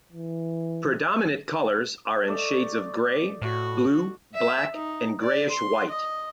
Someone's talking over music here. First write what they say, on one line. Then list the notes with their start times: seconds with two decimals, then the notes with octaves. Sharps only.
Predominant colors are in shades of grey, blue, black, and greyish white.
0.13 E3
2.28 A3 D5 D#5
3.42 A2 F#4
4.35 E5
4.73 D#4
5.20 D5
5.50 C6
5.89 D#5